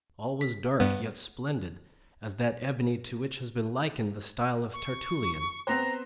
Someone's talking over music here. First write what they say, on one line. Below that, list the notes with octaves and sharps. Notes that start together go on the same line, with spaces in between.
All was dark yet splendid--as that ebony to which has been likened the style of Tertullian.
B6
G2 B3
C#6
B3 C4 C5 A#5